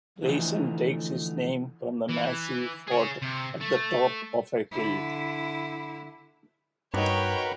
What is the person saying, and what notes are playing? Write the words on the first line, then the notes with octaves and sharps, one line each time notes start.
Raisen takes its name from the massive fort at the top of a hill.
D3 E3 F3 A3 D#4
E3
G#4 C#5
C3
A3
D3 E4
G2 D4 D#4 F#4 A#4 B4 C#5 G5